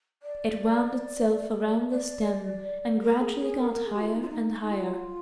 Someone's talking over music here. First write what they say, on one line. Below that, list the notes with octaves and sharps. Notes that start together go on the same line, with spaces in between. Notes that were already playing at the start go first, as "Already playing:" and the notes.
It wound itself round the stem and gradually got higher and higher.
D5
D5
A#4
G#4
G#4
A#4
A#4
G#4
G4
F4
D#4
F4
D#4
D#4
F4